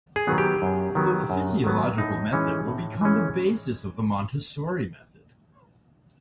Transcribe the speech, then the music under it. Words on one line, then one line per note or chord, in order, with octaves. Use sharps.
The physiological method will become the basis of the Montessori method.
G#4
D#3 F#3 B3
G4
F#2
D#3 F#3 B3
F#2
D#3 F#3 B3
A2 D#4
E3 G#3 C#4
A2
E3 G#3 C#4